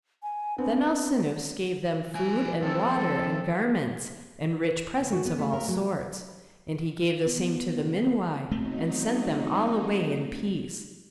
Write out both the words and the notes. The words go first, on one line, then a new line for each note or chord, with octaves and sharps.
Then Alcinous gave them food, and water, and garments, and rich presents of all sorts; and he gave the same to the Minuai, and sent them all away in peace.
G#5
B3 C4 D4
F3 G#5
F3 C4 E4 A4
C#3
F#4
B3
A3
A#4
F#3
B3
F#1
F#3 A3 B3 C4 D#4